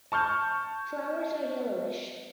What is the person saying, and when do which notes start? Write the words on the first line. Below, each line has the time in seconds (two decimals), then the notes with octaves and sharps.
Flowers are yellowish.
0.12 A5 C#6 F6 G6